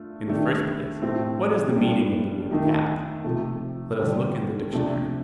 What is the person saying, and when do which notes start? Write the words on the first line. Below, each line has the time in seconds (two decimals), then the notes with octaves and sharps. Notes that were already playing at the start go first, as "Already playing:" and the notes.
In the first place, what is the meaning of the word "Cat." Let us look in the dictionary.
Already playing: A3 D4 F4
0.28 D#3 A3 D4 G4
1.02 A2 A3 C4 G4
1.77 G3 D4 F4
2.51 D#3 A3 D#4 G4
3.24 C3 F3 A3
3.99 D3 G3 D4 G4
4.73 C3 F3 A3 D4